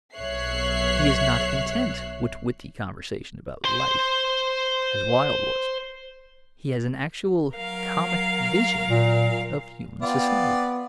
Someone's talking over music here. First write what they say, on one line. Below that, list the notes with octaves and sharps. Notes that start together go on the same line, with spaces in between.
He is not content with witty conversation about life, as Wilde was: he has an actual comic vision of human society.
B1 C#5 E5 F#6 C7
C5 C6
F#3 A#4 F5
A#2
B3 C4 F4 D5